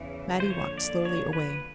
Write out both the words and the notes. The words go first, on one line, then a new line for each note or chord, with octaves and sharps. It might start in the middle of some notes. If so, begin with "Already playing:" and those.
Mattie walked slowly away.
Already playing: E2 C#3 E3
C5
F2 D3 F3 A#3 D4 C#5
D5
C#5
B4